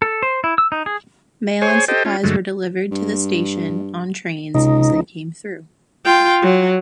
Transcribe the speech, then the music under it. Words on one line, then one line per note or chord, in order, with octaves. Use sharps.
Mail and supplies were delivered to the station on trains as they came through.
A4
C5
E4
E6
D#4
G#4
G#4 C5 C#5 G#5
G4 A4 C5 D#5 G5
C#4 F4
G2 D3 F#3 G#3 A3
G2
C#2 C3 D#4
F4 G5
F#3